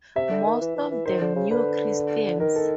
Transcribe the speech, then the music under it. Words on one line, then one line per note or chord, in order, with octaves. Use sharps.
Most of them New Christians.
C3 E5
D3
D#3
E3
E3
E3
D#3 C5
D3
C#3
D3 B4
D#3 A#4
A4